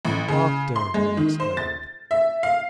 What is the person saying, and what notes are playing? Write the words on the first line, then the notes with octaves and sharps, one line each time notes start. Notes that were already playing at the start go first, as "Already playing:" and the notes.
"Doctor!" he exclaimed.
A1
C#3
C6
G#3
D#3
C5
A6
E5
F5